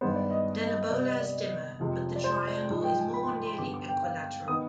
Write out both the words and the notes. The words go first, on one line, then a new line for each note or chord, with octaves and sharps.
Denebola is dimmer, but the triangle is more nearly equilateral.
G2 D#3 G#3 B3 C5
D5
D#5
C3 G3 B3 D5
D#5
D5
F2 C3 F3 G#3
D5
C5
D5
G#2 F3 G#3
G5
G#5
B5
C6
D6
C6
G2 D3 G3 B3 D6
D6
G5
F5
D#3 B3 D#6